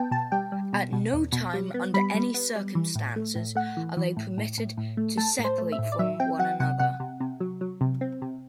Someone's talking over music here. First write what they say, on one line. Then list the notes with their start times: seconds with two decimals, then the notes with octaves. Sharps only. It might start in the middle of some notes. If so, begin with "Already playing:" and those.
At no time, under any circumstances are they permitted to separate from one another.
Already playing: B3 G5 A5
0.11 B2 A5
0.32 G3 G5
0.52 G3
0.73 B2
0.92 B2
1.13 E2
1.33 B2
1.54 G3
1.74 B3
1.94 G3 B5
2.14 G3
2.34 B3
2.55 G3
2.75 E3
2.95 A2
3.16 A3
3.35 A2
3.55 A3 F#5
3.77 E3
3.97 E3
4.17 A2
4.38 A2
4.58 A2
4.77 A2
4.97 A3
5.17 A3 A5
5.39 A2
5.44 C5
5.58 A3
5.72 E5
5.79 A2
5.92 D5
5.99 F#3 E5
6.20 C4 G5
6.39 F#3 F#5
6.60 C3 F#5
6.80 C3 F#5
7.00 C3
7.20 C3
7.40 F#3
7.61 F#3
7.81 C3
8.01 C4
8.22 C3